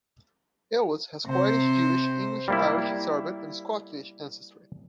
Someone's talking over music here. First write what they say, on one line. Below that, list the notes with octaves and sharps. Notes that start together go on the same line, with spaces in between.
Elwes has Croatian Jewish, English, Irish, Serbian, and Scottish ancestry.
C3 C5
G3 A#3 E4